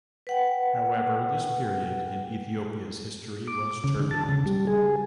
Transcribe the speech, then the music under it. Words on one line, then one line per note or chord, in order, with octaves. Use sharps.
However, this period in Ethiopia's history was turbulent.
B4 F#5 G5
D6
C#3
D3
A5
C#3
G3
G#4